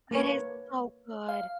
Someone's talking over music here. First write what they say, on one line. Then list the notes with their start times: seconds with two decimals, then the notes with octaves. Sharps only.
it is so good,
0.11 A#3 B4 C#5
1.29 F5